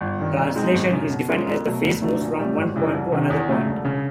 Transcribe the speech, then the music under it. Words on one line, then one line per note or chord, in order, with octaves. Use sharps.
Translation is defined as the face moves from one point to another point.
G1
G2 D#3
B1
B2 G#3 C4 D#4
G#1
F#2 C#3
B2
G#3 C#4 F4 A#4
B1
B2 F#3 A3
D2
D3 F#3 A3
A#1
A2 E3 G3
G#1
F#2 C#3 E3 G3
C2
C3 D#3
E2
C#3 F#3 A3
E1
C#3